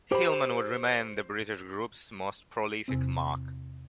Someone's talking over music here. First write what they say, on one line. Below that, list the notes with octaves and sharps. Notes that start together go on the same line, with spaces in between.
Hillman would remain the British group's most prolific marque.
G4 C5 B5
E2 C3 C4